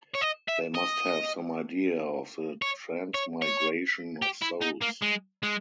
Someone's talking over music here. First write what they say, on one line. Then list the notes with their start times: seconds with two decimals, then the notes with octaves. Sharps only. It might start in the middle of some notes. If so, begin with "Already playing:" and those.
They must have some idea of the transmigration of souls.
0.14 C#5
0.21 D#5
0.48 E5
0.75 D#5
2.62 C#5
3.14 C#5
3.42 C#5
4.22 G4
4.42 E4
4.62 D#4
4.82 A#3
5.02 G#3
5.43 G#3